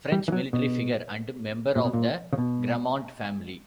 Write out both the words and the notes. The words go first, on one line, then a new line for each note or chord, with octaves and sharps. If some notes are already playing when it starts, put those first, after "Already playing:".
French military figure and member of the Gramont family.
G3
E3
F#3
B2
A#2
B2
A#2
C#3
B2